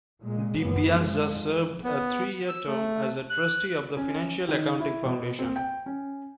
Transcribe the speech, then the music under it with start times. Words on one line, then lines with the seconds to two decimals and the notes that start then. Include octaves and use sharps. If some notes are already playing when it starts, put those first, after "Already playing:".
DiPiazza served a three-year term as a trustee of the Financial Accounting Foundation.
0.21 A#2 G#3
0.60 F#1 F#2 E3 B3
0.94 F3 G#3
1.84 B3
2.49 E6
2.67 A3
3.30 F#6
3.97 C#4
4.49 D#3
4.79 E4
5.05 B2
5.39 C4
5.56 G5
5.86 C#4